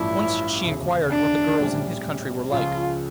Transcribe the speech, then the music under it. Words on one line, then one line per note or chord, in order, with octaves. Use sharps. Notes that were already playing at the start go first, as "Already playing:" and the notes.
Once she inquired what the girls in his country were like.
Already playing: A1 G2 F3 A3 D4 E4
E1 D2 C#3
D4
A#1 A2 G3 C#4
C#2 C#3 F3 F4